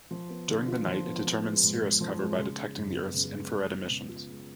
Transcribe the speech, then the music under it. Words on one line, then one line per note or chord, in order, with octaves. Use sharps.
During the night, it determines cirrus cover by detecting the Earth's infrared emissions.
F3
B3
D3
F4
F3
B3
F3
G#3
G#2
G#2
F3
G#3
C#3
G#3
F#2
B3
C#3
G#3
G#3
B3
C#3
F4
G#3